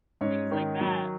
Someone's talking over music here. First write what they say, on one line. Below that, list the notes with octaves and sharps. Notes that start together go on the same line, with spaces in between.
things like that.
G#2 C#4 C#5
D#3
F#3